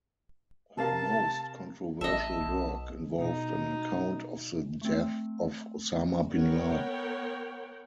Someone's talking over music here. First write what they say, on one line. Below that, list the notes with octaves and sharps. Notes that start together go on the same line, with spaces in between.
Her most controversial work involved an account of the death of Osama bin Laden.
C3 A#4 F5 A5
A1 D#5 E5 A5
B1
B2 D#4
A3 C4
B3 A#4 C#5 F#5 G5